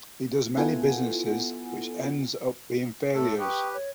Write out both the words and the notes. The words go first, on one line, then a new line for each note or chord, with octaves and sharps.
He does many businesses which ends up being failures.
B3 E4 F4 A4 F#5 G#5
A2 A3 A4
G4 B4 G5 C#6 D#6
C#5